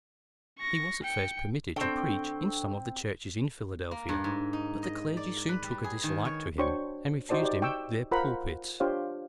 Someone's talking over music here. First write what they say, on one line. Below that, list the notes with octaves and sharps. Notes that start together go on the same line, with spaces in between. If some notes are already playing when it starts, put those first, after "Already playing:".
He was, at first, permitted to preach in some of the churches in Philadelphia, but the clergy soon took a dislike to him, and refused him their pulpits.
C#6 A#6
G5 C#7
C4 D4 A4 G5 C#6
A#3
G2
G#2
D#4
D#5
D5
B4
G3
G#4
D#3
C#5
D4 F#4 C5 C#5 G5 C#6
D#4 F#4 C5 D5 A5
G4 D5
G5 C#6 D6 E6
F4 A#4 C5 F#5 A#5 B5
D4 F4 G4 C5 C#5 F5